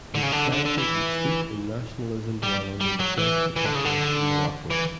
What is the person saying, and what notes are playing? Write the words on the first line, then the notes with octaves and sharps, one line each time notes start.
His childhood was steeped in nationalism while under the French Protectorate in Morocco.
D3
C#3
D3
D3
D3
E3
G3
G3
F#3
E3
E3
D3
C#3
D3
E3